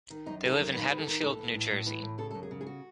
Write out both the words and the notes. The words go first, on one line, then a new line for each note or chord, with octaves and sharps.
They live in Haddonfield, New Jersey.
D#3
F#2 D#4
D#3 G#4
A4
F#2
D#3 B4
D#3 B4
A4
D#3
A2 A4
E3
A2
A2
E3
A2
C#3 A4
F#2 A4
G#4
C#3
G#4
F#4